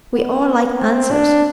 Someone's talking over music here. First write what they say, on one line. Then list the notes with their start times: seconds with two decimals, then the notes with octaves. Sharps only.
We all like answers.
0.15 B3
0.79 C4
1.11 D4